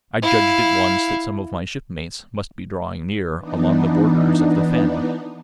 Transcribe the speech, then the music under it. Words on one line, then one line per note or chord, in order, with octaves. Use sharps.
I judged at once that some of my shipmates must be drawing near along the borders of the fen.
E4 F5
E3 B3 D4 D#4